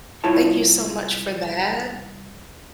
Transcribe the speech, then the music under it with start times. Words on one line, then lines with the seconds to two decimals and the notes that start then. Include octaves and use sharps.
thank you so much for that.
0.24 C2 E4 F4 C#5 A5